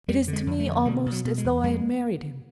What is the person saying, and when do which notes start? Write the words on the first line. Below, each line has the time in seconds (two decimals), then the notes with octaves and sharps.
It is to me almost as though I had married him.
0.08 F2 G3
0.28 D3
0.33 G#3
0.47 F2
0.60 A3
0.66 D3
0.85 B2 G3
1.06 B2
1.12 F#3
1.25 B2
1.38 G#3
1.44 E2
1.64 F2 G#3